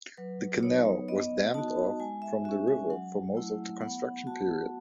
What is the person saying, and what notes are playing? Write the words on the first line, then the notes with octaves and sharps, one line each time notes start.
The canal was dammed off from the river for most of the construction period.
F#3 B4
B3 D#4 C#5
B3 D#5
D#4 F#4 A5
G#3 G#5
E5
C#4 F#4 E5
G#5
F#3 F#5
A3 E4
B3 F#5
F#4 A5